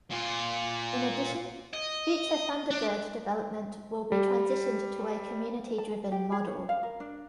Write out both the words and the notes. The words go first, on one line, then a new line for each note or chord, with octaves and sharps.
In addition, future Thunderbird development will be transitioned to a community-driven model.
A#2 F4
D#5
D4
G3
A5
G4
G#4
C#5
F5
A#4
D4